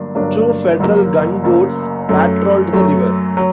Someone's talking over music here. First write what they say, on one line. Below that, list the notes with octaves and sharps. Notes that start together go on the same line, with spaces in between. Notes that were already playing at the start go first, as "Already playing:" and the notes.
Two Federal gunboats patrolled the river.
Already playing: G1 G2 F#3 A#3 D4
G1 G2 F#3 A#3 D4
F#1 F#2 F#3 A#3
F#1 F#2 F#3 A#3
F#2 F#3 A3
F#2 F#3 A3
F#3